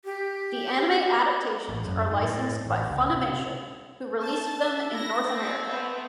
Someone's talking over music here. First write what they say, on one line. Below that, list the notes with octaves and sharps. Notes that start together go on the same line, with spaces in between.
The anime adaptations are licensed by Funimation who released them in North America.
G4
A1
F#2
G#2
A2
A1
C#2
C3
A5
E5
E4 A#6
C4
A3 B3